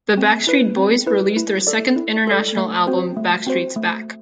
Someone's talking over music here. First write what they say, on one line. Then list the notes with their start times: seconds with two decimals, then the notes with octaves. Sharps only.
The Backstreet Boys released their second international album Backstreet's Back.
0.17 C4
0.47 E4 B4
0.76 C4
1.06 E4 B4
1.37 E4
1.67 A4 D5
1.96 E4
2.27 A4 D5
2.57 A3
2.87 C4 F#4 C5
3.17 A3
3.47 C4 F#4 C5
3.76 A3